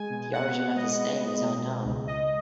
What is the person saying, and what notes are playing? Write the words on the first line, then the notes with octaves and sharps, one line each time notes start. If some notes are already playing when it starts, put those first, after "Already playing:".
The origin of his name is unknown.
Already playing: G#3 G#5
B2
B2 F#5
B3
F#5
G#3 D#5
B3
G#3
B2
G#3
C#2
C#2 D#5